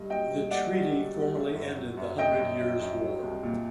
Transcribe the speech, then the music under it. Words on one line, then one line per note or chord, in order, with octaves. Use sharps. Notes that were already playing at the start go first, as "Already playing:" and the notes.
The treaty formally ended the Hundred Years' War.
Already playing: G2 A3 D#5
F#3 D#5 G5
G2
A3 D5 F#5
G2
F#3
G2
A3
F#2
F#3
F#2
A3 D#5 G5
F#2
F#3
F#2
F#3
C2
A#2